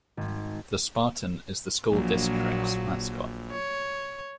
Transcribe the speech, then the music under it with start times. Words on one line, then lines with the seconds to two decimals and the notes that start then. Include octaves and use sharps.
The Spartan is the school district's mascot.
0.17 G#1
1.92 A#1 A#2 F#3
3.51 C#5